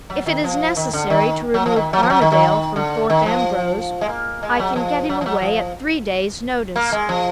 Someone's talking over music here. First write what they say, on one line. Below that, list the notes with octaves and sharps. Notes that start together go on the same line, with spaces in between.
If it is necessary to remove Armadale from Thorpe Ambrose, I can get him away at three days' notice.
F#3
D#3
F3
D#3
D3
D#3
F#3
F3
D#3
F#3
F3
F#3
D#3
D#3
D3
D#3
F3
G#3
A#3
G#3
F#3
F3
F#3
F3
F#3
F3
A#3
G#3
F3